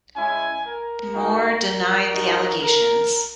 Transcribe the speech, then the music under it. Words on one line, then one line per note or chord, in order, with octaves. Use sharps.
Moore denied the allegations.
G#3 C#4 E4 G#5
A#4
A#3 D#4 F#4
G#3 D#4 F#4
A#4